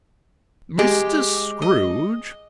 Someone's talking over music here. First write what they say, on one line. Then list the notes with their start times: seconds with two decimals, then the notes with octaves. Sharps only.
"Mr. Scrooge?"
0.79 G#3 G4
1.62 D#5